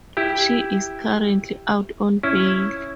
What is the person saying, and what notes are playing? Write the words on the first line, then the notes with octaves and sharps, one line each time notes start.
She is currently out on bail.
E4 G4
C#4 E4